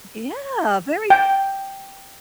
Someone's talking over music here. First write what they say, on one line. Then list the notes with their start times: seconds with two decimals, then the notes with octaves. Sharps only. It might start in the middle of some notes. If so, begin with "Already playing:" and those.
Yeah, very
1.10 G5